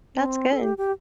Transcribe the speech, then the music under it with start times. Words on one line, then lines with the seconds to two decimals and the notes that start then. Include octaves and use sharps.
That's good.
0.15 C4
0.53 A4
0.62 G4
0.78 G4